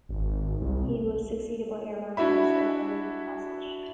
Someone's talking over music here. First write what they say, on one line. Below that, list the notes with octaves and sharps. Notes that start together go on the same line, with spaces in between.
He was succeeded by Air Marshal Sir Leslie Gossage.
G#1
C2
D4 E4 F#4 E5 B5